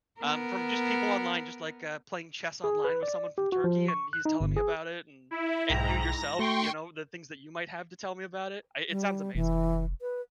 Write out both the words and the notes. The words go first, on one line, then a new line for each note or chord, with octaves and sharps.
um, from just people online, just, like, uh, playing chess online with someone from Turkey and he's telling me about it, and and you yourself, you know, the things that you might have to tell me about it. I it sounds amazing.
B3 A#4
G#4
B4
D5
G4
F#4
F3
C#6
F#6
D#4
G1
G#4
E4
B1 G#2 G5 A#5
A#6
A3 F#4 G5 C6 C#6
G3
F1 E3
B4